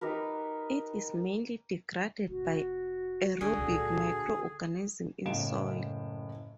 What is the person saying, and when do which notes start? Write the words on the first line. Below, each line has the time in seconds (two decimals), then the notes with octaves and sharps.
It is mainly degraded by aerobic microorganisms in soils.
0.01 D#4 G4 A#4 B4
2.28 F1 F#4
3.41 D3 C#4 F#4 G#4
3.57 C#2 A#2 A4
5.25 F#1 A2 F5 D7 E7